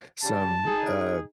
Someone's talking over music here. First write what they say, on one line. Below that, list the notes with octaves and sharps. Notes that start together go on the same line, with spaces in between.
some, uh,
C#3 G3 A5
D#4 G#4